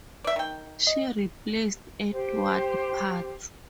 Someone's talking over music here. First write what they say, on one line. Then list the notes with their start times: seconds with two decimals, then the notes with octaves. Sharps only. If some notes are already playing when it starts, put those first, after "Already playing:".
She replaced Eduard Parts.
0.24 D5 E5
0.36 D#3 G5
0.87 D#5
2.12 G4 C5